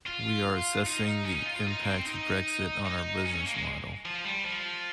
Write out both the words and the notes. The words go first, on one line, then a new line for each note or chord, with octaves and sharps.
We are assessing the impact of Brexit on our business model.
F4
D#4
C#4
D#4
F4
F4
D#4
A#3
C4
D#4
D#4
C#4
C#4
A#3
G#3
F3
G3
F3